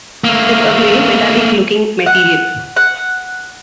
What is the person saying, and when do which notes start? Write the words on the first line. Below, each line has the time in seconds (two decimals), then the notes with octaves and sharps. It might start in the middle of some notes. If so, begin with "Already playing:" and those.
It is a grey, metallic looking material.
0.24 A3 A#3
2.06 F#5
2.76 F#5